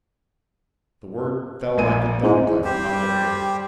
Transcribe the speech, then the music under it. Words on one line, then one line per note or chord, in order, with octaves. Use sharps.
The word fell like a thunderclap upon their ears.
A#1 G#5 D#7
G#2 C4 E4
G3 G4 C5